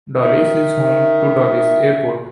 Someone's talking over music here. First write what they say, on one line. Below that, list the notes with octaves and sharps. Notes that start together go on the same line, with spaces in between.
Dolise is home to Dolisie Airport.
D#3 E5